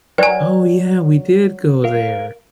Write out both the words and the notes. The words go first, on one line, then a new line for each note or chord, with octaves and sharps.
"Oh yeah, we did go there."
F#3 B4 D5 G5 G#5
A#4 F5